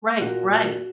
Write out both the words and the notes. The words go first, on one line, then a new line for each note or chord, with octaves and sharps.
Right, right.
A#2 F#4
A#2